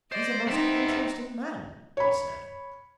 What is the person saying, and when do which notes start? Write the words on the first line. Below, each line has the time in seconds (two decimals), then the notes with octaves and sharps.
"He's a most interesting man," he said.
0.12 C5 D5 D#5
0.47 B3 C4 D#4 E5
1.97 C#5 B5